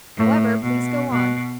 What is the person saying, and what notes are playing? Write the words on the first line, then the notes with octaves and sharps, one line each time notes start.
"However, please go on."
A2
B2
B2